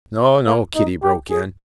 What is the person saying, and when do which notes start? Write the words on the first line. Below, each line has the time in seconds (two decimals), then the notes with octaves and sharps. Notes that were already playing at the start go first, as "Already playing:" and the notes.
"No, no," Kitty broke in.
0.47 A#3
0.75 D#4
1.03 G4
1.30 G#4